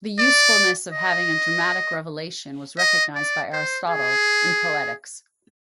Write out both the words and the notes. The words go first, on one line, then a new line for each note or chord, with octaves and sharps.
The usefulness of having a dramatic revelation was recognized by Aristotle, in "Poetics".
D5
D#5
D#5
D5
C5
G#4